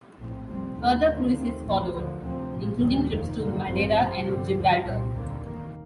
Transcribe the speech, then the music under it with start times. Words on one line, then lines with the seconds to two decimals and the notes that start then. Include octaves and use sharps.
Further cruises followed, including trips to Madeira and Gibraltar.
0.19 A#1 A2 A3 C4
0.47 F1 F2 C3 G3 C4
0.77 D#2 D#3 A3
1.06 F2 D3 F3 A#3
1.35 D#2 D#3 A3 C4
1.64 A1 A2 F3 A#3
1.93 D2 D3 F3
2.22 D2 C3 F3 C4
2.51 A#1 A2 F3
2.80 F1 D#2 D#3 G3
3.10 F1 F2 D#3 A#3
3.38 G2 D3 G3 A#3
3.67 A1 G2 F3 C4
3.97 F2 C3 F3 C4
4.26 G2 D3 G3
4.55 D2 D3 F3
4.84 C2 A#2 G3 C4
5.13 D#2 D3 G3 A#3
5.42 F1 D#2 D#3 A#3